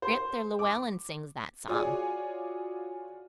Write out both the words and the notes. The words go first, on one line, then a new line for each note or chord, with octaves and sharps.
Gran'ther Llewellen sings that song.
C5
D6
F4 F#4 G#4 C#5 D5 G#5